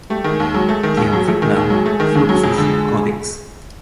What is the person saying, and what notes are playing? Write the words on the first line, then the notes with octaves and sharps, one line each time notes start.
"Ken Friedman." "Fluxus Codex".
G3 A3 G4
D#3 G#3 G#4
D#2
F#3 G#3 G#4
A3
D#3
D#2
F#3 G4
G#3 A3 G#4
D#3
D#2
F#3
A3
D#3
D#2
F#3
F2
D3